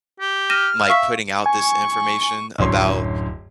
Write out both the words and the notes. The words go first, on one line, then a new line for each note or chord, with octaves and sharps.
like, putting out this information about
G4
F6 A#6 D#7 E7
E5 F5 C#6 B6
G#5 C#6
D1 F#2 C#5 C6